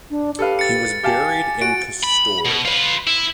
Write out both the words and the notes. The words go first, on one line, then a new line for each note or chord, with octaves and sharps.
He was buried in Kastoria.
D4
G4 A4 B4 F5
A6 C#7
G4 F5 G#5 A5
F#4 D7
B5
B2
F4 B4
E4